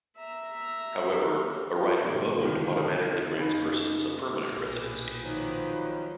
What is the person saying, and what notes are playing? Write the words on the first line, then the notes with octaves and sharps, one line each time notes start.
However, a right of abode automatically grants persons a permanent residency.
E5 A#5
G#1 F2 G#2 B2
D2 B2 D#3
F#1 D#4 B5
B1 A#2 G4 G#4 B4
D#3 F3 F#3